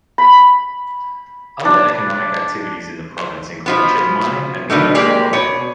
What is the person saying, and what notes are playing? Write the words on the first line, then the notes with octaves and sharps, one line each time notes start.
Other economic activities in the province include gem mining and commercial logging.
B5
D4
B2 F3 B3
B2 D3 D#3 A3
G#3 A#3 G4 D5
B2 C#5